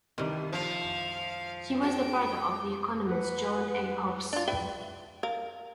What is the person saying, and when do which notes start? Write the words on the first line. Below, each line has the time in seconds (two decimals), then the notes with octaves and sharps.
He was the brother of the economist John A. Hobson.
0.18 C2 C3 D#3 E3 G3
0.53 A#1 F3 F5
1.82 G#3 F#4 G5 E7
3.07 B4 F#5
4.33 D4 F4
4.48 B4 E5 G5
5.23 A#4 F5